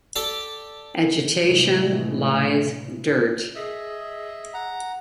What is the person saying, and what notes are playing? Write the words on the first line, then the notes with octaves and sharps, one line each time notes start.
Agitation, lies, dirt.
G4 A4 D5 A5
A2 C3 E3 G#3 A3
G#4 D#5 E5
F#5 A#5